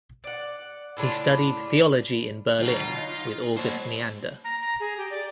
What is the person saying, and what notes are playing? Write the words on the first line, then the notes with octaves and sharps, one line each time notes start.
He studied theology in Berlin with August Neander.
D5 F#5
A2 C#3 D4 F4
B2 D3 F#3 F4
D#4
G3 A#3 B3 C5 C#5
A#5
A#5
G#4
G4
D5